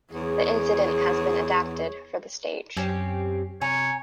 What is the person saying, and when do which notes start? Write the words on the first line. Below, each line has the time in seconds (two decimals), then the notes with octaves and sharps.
The incident has been adapted for the stage.
0.13 E2 G#4 C#5
2.77 F#2 C4 C#4 G4
3.61 C3 C#5 G#5 A#5